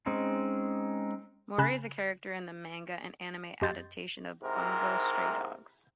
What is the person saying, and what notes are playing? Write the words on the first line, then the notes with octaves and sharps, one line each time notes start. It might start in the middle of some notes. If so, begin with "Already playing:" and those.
Mori is a character in the manga and anime adaptation of "Bungo Stray Dogs".
G#3 C4 C#4 D#4
C#3 G#5 B5 F#6 E7
F#2 G4 D#5 C6 G6 A6
G#2 C3 E4 A#4